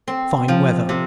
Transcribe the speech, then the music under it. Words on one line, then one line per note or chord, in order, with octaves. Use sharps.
Fine weather.
C4
F3
C3